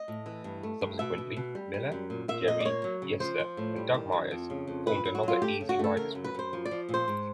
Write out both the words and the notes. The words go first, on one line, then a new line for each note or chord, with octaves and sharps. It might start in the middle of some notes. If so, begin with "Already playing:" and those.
Subsequently, Miller, Jerry Yester, and Doug Myres formed another Easy Riders group.
Already playing: D#5
A2
E3
G2
A3
G2
B2 E5
B2
B2
G3
G3
F#2
A#2
A#2 E5
A#2 D#5
D5
A#3 C#5
F#3
C#3
F3 C5
F3
A2
G3
D#3
F#2
F2
C#3
F2
A#2 B4
F#3
F#4
F#3 F4
A3 G4
C#3
F#4
A3 A4
C#3 A#4
F#2
B4
F#2 C5
F3
D5
F3
A#2
C5
G#2